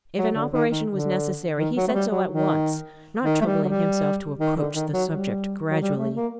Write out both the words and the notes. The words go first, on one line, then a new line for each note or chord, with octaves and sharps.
If an operation was necessary, he said so at once, not troubling himself to approach the subject gradually.
F#3
D3
D#3
D#3
D3
D#3
F#3
A3
G3
F#3
D#3
D#3
A3
G3
F#3
G3
D#3
D3
D#3
F#3
G3
F#3
G3
A3
A#3